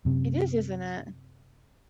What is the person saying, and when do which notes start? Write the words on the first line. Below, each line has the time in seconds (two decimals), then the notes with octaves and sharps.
It is, isn't it?
0.05 F#2 C3